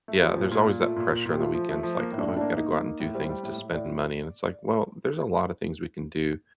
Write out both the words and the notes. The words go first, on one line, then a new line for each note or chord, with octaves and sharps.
Yeah, there's always that pressure on the weekends, like, "Oh, we've gotta go out and do things to spend money," and it's, like, well, there's a lot of things we can do
A3
F3 G4
A#2
A#2
A#2
A3 F4
A#2
A#2
A#2
G4
A3 F4
F3
A3
F3
A#3
A2
D4
A2
A#3 D4
A#3 D#4
A#3
A#3
A2
G3 C5
G3
A2
A2
A2 D5